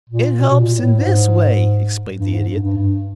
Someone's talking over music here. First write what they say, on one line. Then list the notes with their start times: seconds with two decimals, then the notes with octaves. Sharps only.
"It helps in this way," explained the Idiot.
0.09 A#2
0.40 B2
0.50 B2
0.59 A#2
0.78 A2
0.99 G#2
2.18 G2
2.33 G#2
2.48 G2
2.63 G2
2.77 G2